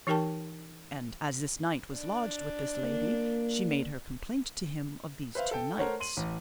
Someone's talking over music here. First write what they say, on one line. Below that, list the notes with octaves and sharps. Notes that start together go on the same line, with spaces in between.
And as this knight was lodged with this lady she made her complaint to him of these two knights.
E3 D#4 G4 A#4 G5 A5
D4
A#3
B4 C5 E5 F5
A4 G5
A3 A#4 C5 C#5 F#5
C6 D#7 F#7
A1